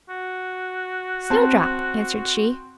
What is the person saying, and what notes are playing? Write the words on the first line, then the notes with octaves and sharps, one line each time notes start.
"Snowdrop," answered she.
F#4
C4 A5